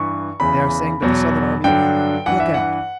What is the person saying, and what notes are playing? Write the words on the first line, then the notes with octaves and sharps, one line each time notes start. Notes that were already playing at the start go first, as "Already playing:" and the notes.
They are saying to the Southern army: 'Look out!
Already playing: G2 E3 C#6
E2 C#3 E3 B5
E2 B2 F#3
G2 D3 F#3 G5
G2 E3 F#5
E5
F#5